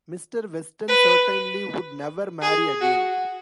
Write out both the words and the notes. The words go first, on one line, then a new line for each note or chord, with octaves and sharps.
Mr Weston certainly would never marry again.
B4
G#4
F#4